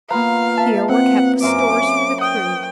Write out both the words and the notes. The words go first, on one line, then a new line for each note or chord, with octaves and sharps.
Here were kept the stores for the crew.
A#3 B3 F4 B4 F5 A#5
E5 A5
B3 C4 F#5
F#2 C#4 C5 E5 F5 A#5 D6
G5 D#6